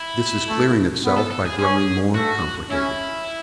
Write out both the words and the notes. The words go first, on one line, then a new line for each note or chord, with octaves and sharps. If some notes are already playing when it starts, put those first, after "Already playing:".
"This is clearing itself by growing more complicated."
Already playing: E4
A3
B3
A4
A4
G#4
C#4 G#4
A3 F#4
C#4 E4